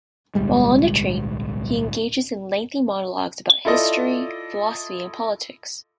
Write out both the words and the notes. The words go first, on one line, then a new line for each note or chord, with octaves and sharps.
While on the train, he engages in lengthy monologues about history, philosophy and politics.
D1 B1 G3 G#3
E4 F4 A4 D5 D#5